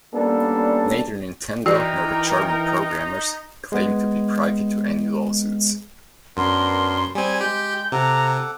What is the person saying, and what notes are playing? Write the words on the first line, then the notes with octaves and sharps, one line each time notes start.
Neither Nintendo, nor the German programmers claim to be privy to any lawsuits.
G3 A#3 B3 C#4 D4 A4
E3 D#4 F#4 A#4 D5 G5
G#3 B3
F#2 B3 D4 A#4 C6
G3 C4 G#4 G#5
G#3 G4 G5 G6
C3 A4 F#5 A#5 D6